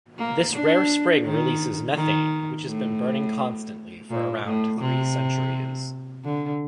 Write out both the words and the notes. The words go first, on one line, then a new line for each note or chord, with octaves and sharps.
This rare spring releases methane, which has been burning constantly for around three centuries.
A#3
D4
D#3
D#3
A2
A#2
A2
C3
D3